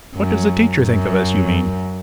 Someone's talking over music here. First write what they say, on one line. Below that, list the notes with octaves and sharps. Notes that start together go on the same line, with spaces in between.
"What does the teacher think of us, you mean?"
F#2
F#2